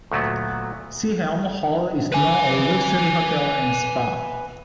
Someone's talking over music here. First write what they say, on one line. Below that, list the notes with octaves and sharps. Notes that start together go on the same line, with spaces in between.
Seaham Hall is now a luxury hotel and spa.
D2 A#2 F#3 A3 B3
B4 G#5